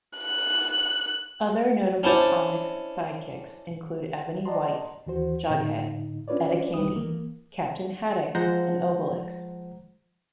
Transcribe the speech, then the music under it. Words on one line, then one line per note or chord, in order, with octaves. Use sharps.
Other notable comics sidekicks include Ebony White, Jughead, Etta Candy, Captain Haddock, and Obelix.
F#6
C#4 D4 E4 C5 D5
D5 D#5 F#5 A5 A#5 C6
D#2 E3 F#4 C5
A2 D3 D#4
C#4 D4 F4 B4 C#5 D5
C2 G3 D#4 B4 D#6
E3 A#3
F3 G#3 C5 F#5 A#5 G6